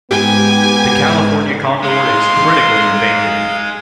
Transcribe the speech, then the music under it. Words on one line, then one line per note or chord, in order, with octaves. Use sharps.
The California condor is critically endangered.
G#2 B3 G4 G#5
G#3 D#4 F5 C6